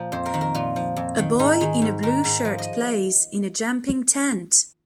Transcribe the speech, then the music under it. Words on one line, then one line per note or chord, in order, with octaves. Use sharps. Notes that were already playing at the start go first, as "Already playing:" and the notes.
A boy in a blue shirt plays in a jumping tent.
Already playing: A#2 F3
F2 C5
A#4
D#3
A#4
A#2 F4
F3
F2
D#3
G#2 D#4
D#3 G#4
G#2
D#3 A#4
G#2
F3
D#5